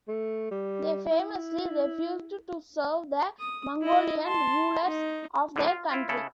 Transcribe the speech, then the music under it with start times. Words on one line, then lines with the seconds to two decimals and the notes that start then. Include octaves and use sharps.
They famously refused to serve the Mongolian rulers of their country.
0.08 A3
0.51 G3
1.11 E4
3.39 D#6
3.81 E4 D#5
4.25 A5 C6
4.85 D#4
5.56 F#2 A2 D3
5.67 F4
5.91 E4 F4
6.09 C#3 E4 A4